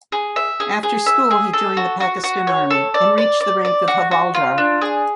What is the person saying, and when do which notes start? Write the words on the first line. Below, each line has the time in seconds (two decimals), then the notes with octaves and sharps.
After school he joined the Pakistan Army, and reached the rank of Havaldar.
0.12 G#4
0.36 E5
0.60 G#4
0.83 G#4
1.06 E5
1.31 G#4
1.53 A4
1.77 F#4
2.00 F#4
2.24 F#4
2.47 C#5
2.70 A4
2.94 D5
3.18 D5
3.41 D5
3.65 D5
3.88 F#4
4.11 F#4
4.34 F4
4.58 D4
4.81 G#4